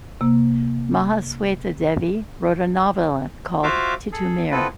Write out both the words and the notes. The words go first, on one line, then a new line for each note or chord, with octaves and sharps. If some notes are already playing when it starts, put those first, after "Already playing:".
Mahasweta Devi wrote a novella called "Titu Mir".
C3 A#3
F4 F#4 C5 E5 F5 D6
G#4 A4
B3 C4 E4 F4 A4 B4